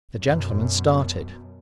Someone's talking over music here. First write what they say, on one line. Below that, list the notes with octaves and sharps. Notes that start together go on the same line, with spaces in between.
The gentleman started.
F#2 B2